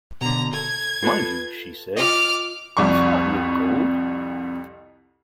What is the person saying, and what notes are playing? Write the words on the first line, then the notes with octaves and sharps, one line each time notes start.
Mind you, she said, it's not real gold.
B2 D3 A#5
A4 G#6
F4 A4 B4
F4 D#5 D6 F6
C2 F2 G3 C#6